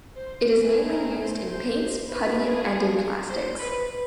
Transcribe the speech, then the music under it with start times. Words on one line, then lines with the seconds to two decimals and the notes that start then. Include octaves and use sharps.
It is mainly used in paints, putty, and in plastics.
0.15 C5
0.60 A3 C4 E4 G#4 B4
0.90 A#4
1.20 C5
1.50 C5
1.80 C5
2.09 B4
2.39 D4 F4 G#4
3.30 C5
3.58 B4